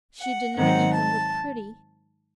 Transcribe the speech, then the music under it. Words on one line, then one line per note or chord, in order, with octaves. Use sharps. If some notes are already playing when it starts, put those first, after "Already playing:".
She did not even look pretty!
F#5
G#2 D#3 F#3 C4 D#4 F#5
A5